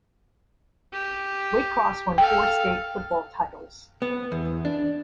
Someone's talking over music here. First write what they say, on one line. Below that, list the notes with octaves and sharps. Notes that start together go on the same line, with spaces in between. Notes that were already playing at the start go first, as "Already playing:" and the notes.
Waycross won four state football titles.
G4
A4 F5 G5
B3
E2
D4